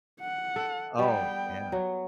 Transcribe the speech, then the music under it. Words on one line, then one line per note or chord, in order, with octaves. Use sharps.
Oh, yeah.
F#5
A4
G3 B3 G5
F#3